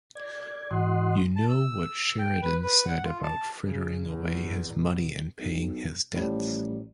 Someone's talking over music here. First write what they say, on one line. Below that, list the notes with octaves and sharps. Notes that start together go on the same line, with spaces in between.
You know what Sheridan said about frittering away his money in paying his debts.
D5 G#6
G#2 E3 F#4 D#5 F#5 C6
A5
E6
G5
B4
B4
F#5
F4
A5
C#3
E2
B2
B1
A1 A2 F3 G3